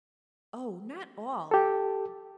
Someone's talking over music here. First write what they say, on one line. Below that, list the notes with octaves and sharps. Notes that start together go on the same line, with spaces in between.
'Oh, not all!
G4 A4